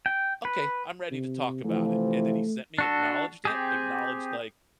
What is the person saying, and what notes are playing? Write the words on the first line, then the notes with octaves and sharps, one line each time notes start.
"Okay, I'm ready to talk about it," and then he sent me, acknowledged it, acknowledged like,
G5
B4
C3
C3 E3 F3 A3
D4 F#4 A4
C4 G4 G#4